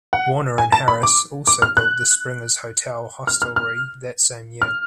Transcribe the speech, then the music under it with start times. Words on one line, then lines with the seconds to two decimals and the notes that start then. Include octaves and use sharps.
Warner and Harris also built the Springer's Hotel hostelry that same year.
0.13 F#5
0.58 G#5
0.72 A5
0.88 B5
1.03 D6
1.47 D6
1.62 F6
1.77 F#6
3.27 F6
3.42 F6
3.56 F6
4.62 F6